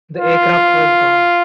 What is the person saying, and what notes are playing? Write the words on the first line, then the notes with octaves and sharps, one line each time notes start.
The aircraft was gone.
F4